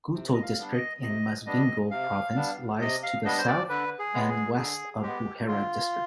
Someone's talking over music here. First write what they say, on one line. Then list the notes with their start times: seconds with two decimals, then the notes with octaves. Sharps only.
Gutu District in Masvingo Province lies to the south and west of Buhera District.
0.13 C3
0.34 D#5
0.43 F5
0.58 G3 B3 D4
0.73 D#5
1.02 C3 D#5
1.46 G3 B3 D4 D#5
1.91 C3 F5
2.35 G3 B3 D4
2.80 C3 D#5
3.03 F5
3.24 G3 B3 D4 D#5
3.38 C5
3.47 D5
3.69 D3 B4
3.99 G#4
4.14 G#3 B3
4.29 G#4
4.58 D3 G#4
5.02 G#3 B3 G4
5.48 D3 F4